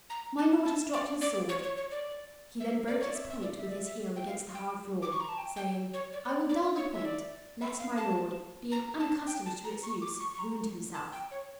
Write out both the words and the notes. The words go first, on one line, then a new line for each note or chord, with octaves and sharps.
"My lord has dropped his sword." He then broke its point with his heel against the hard floor, saying: "I will dull the point, lest my lord, being unaccustomed to its use, wound himself."
A#5
A5
A5
D5
D5
C#5
C#5
C#5
D5
E5
D5
C#5
D5
E5
E5
D5
E5
D5
E5
G5
F5
G5
D6
C#6
A#5
A5
G5
G5
C#5
D5
C#5
D5
D5
C#5
E5
D5
E5
F5
A5
A#5
A5
G5
A5
A#5
C#6
D6
C#6
C#6
A#5
A5
G5
C#5